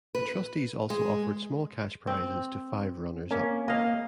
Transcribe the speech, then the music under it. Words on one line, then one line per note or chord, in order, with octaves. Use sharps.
The trustees also offered small cash prizes to five runners up.
B4
G#3
C4
A#3 C#4
A#3 D#5 F5